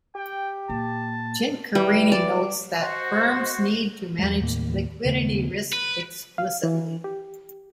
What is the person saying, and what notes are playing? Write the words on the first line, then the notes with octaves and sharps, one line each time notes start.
Chincarini notes that firms need to manage liquidity risk explicitly.
G4 G5
A#2 A5
E3 G3
D5
F#4 C5 D#5 F#5
E2 F#3 G#3
D#2 A2 A#3
D#2 C#3 A3 B3
B4
F5
E3
G4